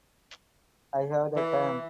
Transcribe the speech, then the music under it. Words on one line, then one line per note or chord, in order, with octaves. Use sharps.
I have the time.
E3